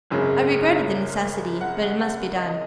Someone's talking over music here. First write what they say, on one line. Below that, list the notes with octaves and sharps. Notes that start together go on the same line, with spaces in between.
I regretted the necessity, but it must be done.
G#1 F#2 C#3 G#3
F#5
F#5
D#5